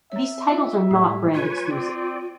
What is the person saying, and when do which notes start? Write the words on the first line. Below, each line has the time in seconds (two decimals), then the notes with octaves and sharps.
These titles are not brand exclusive.
0.12 C4 C#5 E5
0.47 F4 D5 D#5
0.91 A2 F#3 G3 A#3
1.34 F4 B4 C#5 G#5
1.71 C4 D5